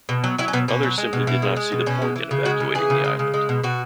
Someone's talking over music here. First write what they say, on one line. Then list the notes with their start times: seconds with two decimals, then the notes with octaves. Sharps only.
Others simply did not see the point in evacuating the island.
0.09 B2
0.24 F#3
0.38 F#3 E4
0.48 C#4
0.53 B2 B3
0.68 B2 C#4
0.83 F#3
0.98 G#3
1.13 B2
1.27 B2 E4
1.42 G#3
1.56 G#3
1.72 B2
1.86 B2 C#4
2.02 G#3
2.16 E3
2.31 C#3
2.45 G#3 F#4
2.60 C#3
2.75 E3 G#4
2.90 C#3
3.04 G#3
3.19 C#3
3.34 G#3
3.49 B2
3.63 B2 F#4